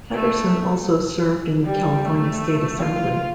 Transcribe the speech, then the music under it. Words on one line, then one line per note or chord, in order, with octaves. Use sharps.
Patterson also served in the California State Assembly.
A3
G3
A3
F4